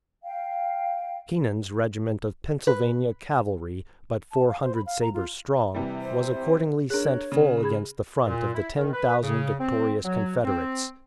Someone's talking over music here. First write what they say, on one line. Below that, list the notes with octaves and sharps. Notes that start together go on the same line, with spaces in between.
Keenan's regiment of Pennsylvania cavalry, but four hundred sabers strong, was accordingly sent full against the front of the ten thousand victorious Confederates.
F5 G5
B4
A5
F5
C5
B5
F5
A#5
F4
C3 E3 G3
C5
D4 G#4 A#4 C#5 F#6
C#3
G#4 B5 G#6
A#2
E4
D#3
B4
C#3
C4
F#3
C4